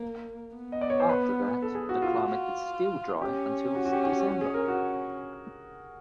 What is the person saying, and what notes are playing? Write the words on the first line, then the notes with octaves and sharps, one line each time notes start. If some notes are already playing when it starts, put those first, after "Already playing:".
After that, the climate is still dry until December.
Already playing: A#3
B3
D#5
D5
C#5
C5
B4
A4
G#4
F#4
F4
F4 F#4
C#4 G4
F#4
F#4
G4
G4
F#4
F#4
G#4
A#4
F#4